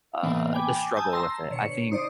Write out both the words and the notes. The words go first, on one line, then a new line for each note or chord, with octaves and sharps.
uh the struggle with it. I think
A2 C3 E3 A#3 B3
G5 G#5 B5 D6
G#5 A5 D#6 E6 G6
A5 A#5 C6 E6 A#6
B2 D3 C#5 C#7
D#4 C5 D5 D#6